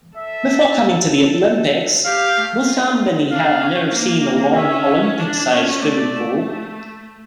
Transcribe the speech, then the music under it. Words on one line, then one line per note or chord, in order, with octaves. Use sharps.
Before coming to the Olympics, Moussambani had never seen a long Olympic-size swimming pool.
A4 E5
G4 F5
A3
F4
D4 F5
C#4
A#3
C#4 E5
D4
C#4
A3 D5
A3